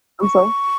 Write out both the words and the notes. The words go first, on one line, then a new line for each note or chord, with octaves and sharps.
I'm sorry?
C#6